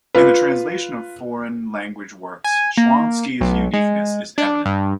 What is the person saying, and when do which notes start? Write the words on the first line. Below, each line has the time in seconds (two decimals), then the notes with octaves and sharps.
In the translation of foreign-language works, Shlonsky's uniqueness is evident.
0.15 F4 B4
2.44 G#5
2.77 A#3
3.41 B1
3.74 G#3
4.38 D4
4.66 G2